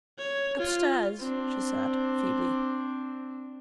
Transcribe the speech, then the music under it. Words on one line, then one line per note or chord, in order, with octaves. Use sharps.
"Up stairs," she said, feebly.
C#5
F4
C4 D4